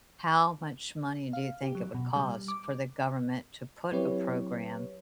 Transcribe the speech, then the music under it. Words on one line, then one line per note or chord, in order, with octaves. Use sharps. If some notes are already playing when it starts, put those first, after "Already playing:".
How much money do you think it would cost for the government to put a program
F5
G4
F#3
B2
G3
D6
F#3 C4 E4 G4 B4 C#5